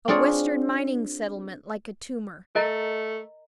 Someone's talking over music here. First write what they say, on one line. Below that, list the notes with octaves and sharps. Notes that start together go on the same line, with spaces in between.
A Western mining-settlement like a tumor.
C4 D4 F4 G#4 C#5 D5
A3 A#4 D#5 A#5